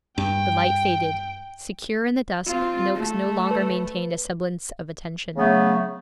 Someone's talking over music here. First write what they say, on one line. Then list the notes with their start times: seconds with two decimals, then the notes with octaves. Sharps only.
The light faded. Secure in the dusk, Noakes no longer maintained a semblance of attention.
0.18 G2 G5
2.46 C4 F4
2.95 A3
3.51 B4
5.35 C#3 F#3 A3 B3